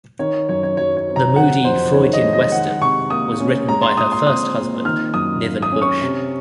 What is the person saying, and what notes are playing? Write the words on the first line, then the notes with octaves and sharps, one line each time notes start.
The moody "Freudian western" was written by her first husband Niven Busch.
D#3 C#5
F#2 C#5
C#5
F#3 C#5
C#5
C4
A#5
C3 F#5
F2 C5
D#3 C#5
D#5
G#3
D#5
D#3 F#5
C3 C#6
A#3 D#6
C#4
G#3 A#5
C6
A#2 D#6
C6
C4 D#6
A#2
D#3 F6
F#2 D#6
A#3
D#6
C#4
C#6
C3